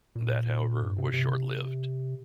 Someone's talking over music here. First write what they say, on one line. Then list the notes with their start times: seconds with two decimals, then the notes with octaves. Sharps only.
That however, was short-lived.
0.15 A#2
0.82 G2
0.98 C3
1.14 C3